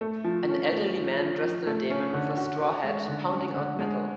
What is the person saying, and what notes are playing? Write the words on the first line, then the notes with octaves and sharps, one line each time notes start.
An elderly man dressed in denim with a straw hat, pounding out metal.
A3
F3
C#4
A3
F3
F3
F3
A3
C#4
D3
F#4
F#4
G#3
D3
C#4
D3
G#3